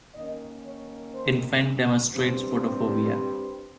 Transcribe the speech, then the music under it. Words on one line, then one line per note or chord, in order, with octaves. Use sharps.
Infant demonstrates photophobia.
D#3 A#3 C#4 D#5
C#5
C5
G2 G3 C4
G4